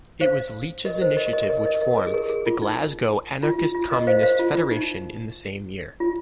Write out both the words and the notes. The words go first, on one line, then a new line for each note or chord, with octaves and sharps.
It was Leech's initiative which formed the Glasgow Anarchist-Communist Federation in the same year.
C5 F5
A#4 D#5
C5
A#4 D#5
A#4 D#5
A#4 D#5
A#4 D#5
A#4 D#5
A#4
G#4
A#4
G#4
F4
D#4
F4
F4
F4
A#4 D#5
C5 F5
C5 F5
F4
F4
D#4
F4